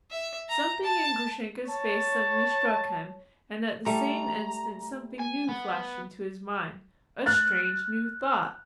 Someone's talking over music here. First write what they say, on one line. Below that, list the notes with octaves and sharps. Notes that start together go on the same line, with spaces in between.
But something in Grushenka's face suddenly struck him, and at the same instant something new flashed into his mind--a strange new thought!
E5
A#5
A5
C#5 A5
G3 A3 A#5
G#5
B3
F6 F#6 A6